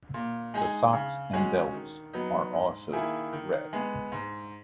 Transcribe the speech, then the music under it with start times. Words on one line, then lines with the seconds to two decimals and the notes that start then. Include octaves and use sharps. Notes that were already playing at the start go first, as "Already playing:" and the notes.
The socks and belts are also red.
0.14 A#2
0.54 G#3 D#4 G#4
0.93 C#3
1.33 G#3 C#4 F#4
1.74 D#3
2.13 F#3 B3 D#4
2.53 G#2
2.93 D#3 A#3 E4 G#4
3.33 D#3
3.73 G#3 B3
4.12 G#2